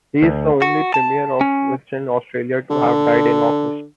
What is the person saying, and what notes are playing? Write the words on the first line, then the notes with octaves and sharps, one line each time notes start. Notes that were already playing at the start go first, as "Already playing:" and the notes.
He is the only Premier of Western Australia to have died in office.
D2
F#4
A5
C#4
D3